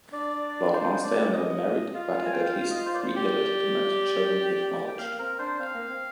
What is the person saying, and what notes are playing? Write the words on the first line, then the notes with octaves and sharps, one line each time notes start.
Lord Lonsdale never married, but had at least three illegitimate children he acknowledged.
D4 D5
C5
C5
D5
D#5
F4 F5
G#5
G5
F5
G5
F5
D#5
C5
D5
C5
G4 D5
G5
A#3 F5
C4 A#4
D4 C5
C4 F5
A#3
C4